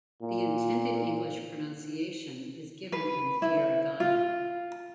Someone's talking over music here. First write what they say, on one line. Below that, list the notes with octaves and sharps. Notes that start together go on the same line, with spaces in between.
The intended English pronunciation is given in furigana.
A#2
B4
E4
F4